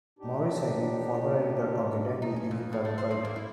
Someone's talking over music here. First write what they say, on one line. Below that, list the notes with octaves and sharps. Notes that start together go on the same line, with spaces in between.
Morris Heggie, former editor of "The Dandy" is the current writer.
A2 D4 D#4 G4
D#4
C#4
F2
A2
A3
C5
C4
A#3
E4